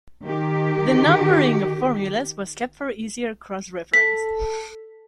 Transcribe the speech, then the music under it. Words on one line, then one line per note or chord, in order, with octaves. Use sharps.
The numbering of formulas was kept for easier cross-reference.
D#3 G4
A4 B6